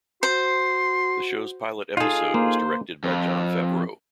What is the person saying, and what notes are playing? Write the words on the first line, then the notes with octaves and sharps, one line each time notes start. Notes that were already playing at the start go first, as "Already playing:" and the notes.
The show's pilot episode was directed by Jon Favreau.
F#4 C5 C6
D#4 F4 G#4 A4
A#3 C5
F2